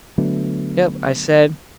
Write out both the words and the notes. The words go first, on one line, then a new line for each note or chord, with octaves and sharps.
"Yep," I said.
D3 F#3 A3 B3